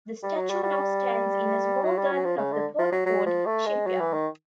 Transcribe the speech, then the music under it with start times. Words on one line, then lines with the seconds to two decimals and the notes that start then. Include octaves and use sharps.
The statue now stands in a small garden of the Port Fuad shipyard.
0.23 G3
0.36 F#3
0.50 G3
0.63 G3
1.84 F#3
1.98 G3
2.12 F#3
2.25 F3
2.38 C#3
2.52 D3
2.79 F3
2.92 F#3
3.06 F#3
3.26 F3
3.46 A3
3.66 G#3
3.87 F#3
4.00 E3
4.13 D#3